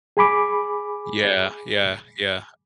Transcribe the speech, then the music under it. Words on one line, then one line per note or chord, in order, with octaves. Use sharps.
Yeah, yeah, yeah.
G#4 G#5 B5 D6